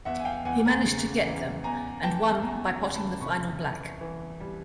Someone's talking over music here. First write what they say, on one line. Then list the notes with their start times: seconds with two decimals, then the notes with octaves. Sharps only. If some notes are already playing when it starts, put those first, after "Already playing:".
He managed to get them and won by potting the final black.
0.05 E2 E5 F#5
0.19 G#5
0.25 F5 G5
0.45 E2 F#5 G#5
0.65 G#5 A#5
0.85 C#3
1.25 E3
1.64 E2 G#5 A#5
2.03 E3 G5 A5
2.42 E2 G#5 A#5
2.82 C#3
2.95 A5 B5
3.21 C2 B5 C#6
3.61 E3
4.01 E3
4.40 G3